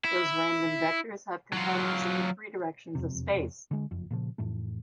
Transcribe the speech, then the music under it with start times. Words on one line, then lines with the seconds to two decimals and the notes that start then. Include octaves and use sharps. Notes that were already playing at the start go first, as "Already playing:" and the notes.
Those random vectors have components in the three directions of space.
0.05 E4
1.53 F#3 F4
2.95 E1 F2 C3
3.71 D3 G#3
3.91 F#1 F2
4.11 A#2 C#3 F3
4.38 F2 A2 E3 A3